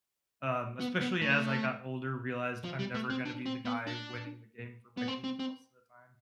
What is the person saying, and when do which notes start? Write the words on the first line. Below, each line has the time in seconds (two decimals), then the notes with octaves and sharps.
um, especially as I got older, realized I'm never gonna be the guy winning the game for my team most of the time.
0.80 B3
1.01 B3
1.22 A3
2.64 F3
2.79 G3
2.95 A3
3.10 C4
3.25 D4
3.46 C4
3.65 B3
3.87 D4
4.97 B3
5.08 C4
5.24 C4
5.39 C4